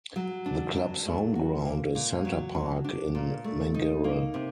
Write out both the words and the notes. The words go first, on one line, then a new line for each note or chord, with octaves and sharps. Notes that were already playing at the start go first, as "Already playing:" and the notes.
The club's home ground is Centre Park in Mangere.
F#3
D4
F#3
A3
F#4
A#3
A#2
F#3
F#4
D4
A#2
A3
D#4
A#3
C3